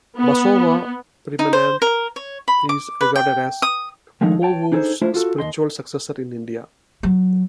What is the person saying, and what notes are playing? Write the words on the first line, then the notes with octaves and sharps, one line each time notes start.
Basava Premanand is regarded as Kovoor's spiritual successor in India.
B3
D#4
C5
A#4
C#5
B5
D6
B4
G5
D#6
D#3 F3 G#3 A3 D4 D#4
C#5 G5 A5
D4 D#4 G#4 A4 C5
A3 D4 E4 F4 C5
F4 F#4 A4
D#2 D#5 C6
F#3